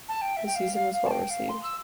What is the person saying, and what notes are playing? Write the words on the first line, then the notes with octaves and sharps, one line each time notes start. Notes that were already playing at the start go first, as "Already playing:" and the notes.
The season was well received.
A5
G5
E5
G5
F5
F5
F5
A5
G5
F5
C6
E6